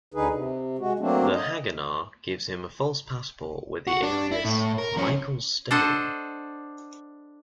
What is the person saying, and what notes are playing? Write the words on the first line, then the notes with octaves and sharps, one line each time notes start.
The Haganah gives him a false passport with the alias "Michael Stone".
D2 D3 D#4 G#4 B4
C3
G#3 F#4
F#3 A3 A#3 C4 D4
D#5
F#4
D4
E4
A2
A#4
F3 C#4
D4 A4 C5 D#5 F#5